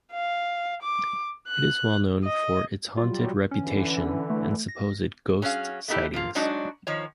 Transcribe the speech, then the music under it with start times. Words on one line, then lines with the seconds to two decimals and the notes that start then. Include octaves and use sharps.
It is well known for its haunted reputation and supposed ghost sightings.
0.12 F5
0.82 D6
1.48 F#6
2.24 D#5
2.97 F#3 G3 F4
3.51 D3 E3 C#4
4.30 A3
4.68 A#6
5.42 F#3 C#4 D4 G#4 F5
5.88 A3 B3 D#4 E4 G4
6.14 F3 A#3 F4
6.35 F#3 G#3 D4 D#4 F#4
6.87 D#3 F3 C#5